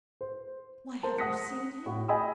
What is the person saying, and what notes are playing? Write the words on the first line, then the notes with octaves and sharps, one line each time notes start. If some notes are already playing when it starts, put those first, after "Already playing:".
Why, have you seen him?
C5
A#4 C5 A5
F#5 D#6 A#6 B6 C#7
A2 F#4
D#5 G5 G#5 B5 D#6 E6